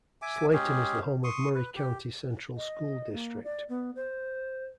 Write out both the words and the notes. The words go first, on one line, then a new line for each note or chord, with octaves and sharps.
Slayton is the home of Murray County Central School District.
E5 G#5 D6
G#3 C#4 G4 G#4
C6 C#6 D#6
B4
G4
D#5
A#3
D5
B3
C5